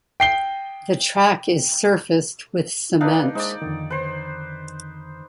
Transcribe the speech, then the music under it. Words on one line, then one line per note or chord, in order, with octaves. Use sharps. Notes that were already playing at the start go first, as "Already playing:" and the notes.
The track is surfaced with cement.
G5 C7 G7
A#3 D4 D#4 B4 D5 F5
G#3 D#4 G#4 C5 D5
F2 D3 D#3
B4 C5